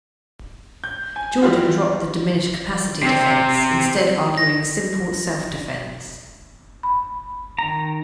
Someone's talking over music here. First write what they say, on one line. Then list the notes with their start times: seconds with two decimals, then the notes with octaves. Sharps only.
Jordan dropped the "diminished capacity" defense, instead arguing simple self-defense.
0.84 G6
1.16 G#5
1.41 E3 G3 F4 F#4
3.03 C3 C4
4.38 A#6
6.83 B5
7.58 D#3 A#5